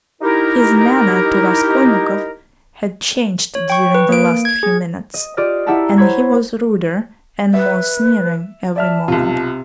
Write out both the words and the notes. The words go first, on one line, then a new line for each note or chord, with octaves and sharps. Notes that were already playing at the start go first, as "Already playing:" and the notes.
His manner to Raskolnikov had changed during the last few minutes, and he was ruder and more sneering every moment.
D#4 E4 G4 A#4
C#5
G5 C#6
B4
A#3 D7
G#6
G#4
D#5
F4 G4 D5 D#5 F6
E4 G4 E5 F#5 A5 A#5
C5 C#5 B5 C#6 G#6 A#6
B4 E5
D5 E5 A5 F6
B1 C3 F4